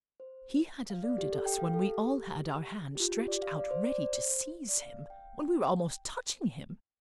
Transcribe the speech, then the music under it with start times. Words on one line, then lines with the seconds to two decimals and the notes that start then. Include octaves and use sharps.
He had eluded us when we all had our hands stretched out ready to seize him--when we were almost touching him.
0.20 C5
0.90 F5
1.04 D5
1.18 G4
1.32 A4
1.46 G5
1.60 F5
1.74 A4
1.88 G4
2.95 G4
3.00 F4
3.14 G4
3.28 D5
3.42 F5
3.56 D5
3.71 C5
3.84 D5
3.98 C5
4.69 D5
4.82 F5
4.97 F5
5.10 G5